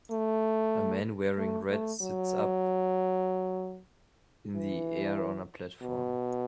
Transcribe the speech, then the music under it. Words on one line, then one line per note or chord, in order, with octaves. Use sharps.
A man wearing red sits up in the air on a platform.
A3
A3
A3
F#3
E3
B2